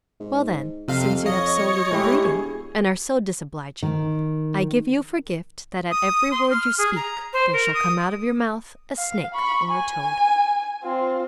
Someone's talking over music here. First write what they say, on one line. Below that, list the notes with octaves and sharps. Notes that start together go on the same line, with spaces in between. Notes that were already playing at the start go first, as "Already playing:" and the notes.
"Well then, since you have so little breeding, and are so disobliging, I give you for gift, that at every word you speak there shall come out of your mouth a snake or a toad."
G#2
F2 C3 F5
C#5 D#5 F5
A2 G#3 E4 G4
E1 G#4
D#3
D#6
C6
F6
G#4
A#5
C5
A#4
D#6
F5
B5 C#6
G#5
C4 F4